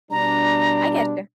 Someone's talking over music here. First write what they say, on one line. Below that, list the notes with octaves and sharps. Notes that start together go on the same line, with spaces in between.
I getcha.
B2 G3 D4 A#5